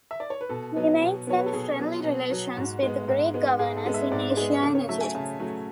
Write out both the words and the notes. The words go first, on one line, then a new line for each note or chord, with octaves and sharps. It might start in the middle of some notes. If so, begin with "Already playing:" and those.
He maintained friendly relations with Greek governors in Asia and Egypt.
E5
D5
C#5
B4
B2 A4
F#3 B3
B2
F#3 B3 C#5
B4
A4
B2 G#4
F#3 B3
B2
F#3 B3
G#2 F#4
G#3 B3
G#2
G#3 B3
G#2 G#4
A4
G#3 B3
E5
G#2 D5
G#3 B3 G#4
C#3 A4
C#5
F#3 A3 E5
G#5
C#3 A5
F#3 A3